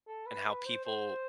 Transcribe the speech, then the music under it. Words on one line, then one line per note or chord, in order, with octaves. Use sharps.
and how people
A4
B4
B4
C5
C5